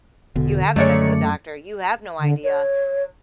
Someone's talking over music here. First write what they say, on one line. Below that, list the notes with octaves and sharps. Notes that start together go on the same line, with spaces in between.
You haven't been to the doctor, you have no idea,
E1 B2 D3
F#2 D#3 G#3 A3 C#5 D5 C#7
D3
C#5